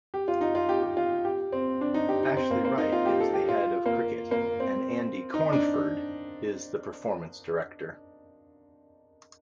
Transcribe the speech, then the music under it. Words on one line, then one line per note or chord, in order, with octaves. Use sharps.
Ashley Wright is the Head of Cricket and Andy Cornford is the Performance Director.
G4
F4
D#4
F4
G4
G4
F4
G4
C4
D4
D#4
G4
D#4
C4
A#3
A#3
D#4
F4
G4
A4
G4
F4
A#3
A#3
C4
D#4
D4